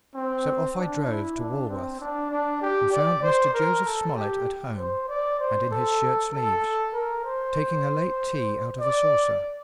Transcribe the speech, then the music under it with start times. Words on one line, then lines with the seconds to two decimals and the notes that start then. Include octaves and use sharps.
So off I drove to Walworth, and found Mr. Joseph Smollet at home and in his shirtsleeves, taking a late tea out of a saucer.
0.14 C4
0.76 D4
1.07 E4
1.38 D4
1.69 C4
2.00 D4
2.31 D4
2.62 G4
2.92 D5
3.23 C5
3.54 A#4
3.85 A4
4.16 G4
4.78 C5
5.08 D5
5.39 C5
5.71 A4
6.32 A4
6.94 A#4
7.25 C5
8.79 D5